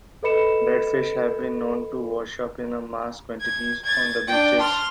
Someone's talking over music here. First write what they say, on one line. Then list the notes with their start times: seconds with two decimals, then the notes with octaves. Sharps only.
Dead fish have been known to wash up in mass quantities on the beaches.
0.23 A4 B4 D#5 B5 C#7 E7
3.41 G#6
3.84 G#6 A6
4.28 D4 G5
4.59 C6 F6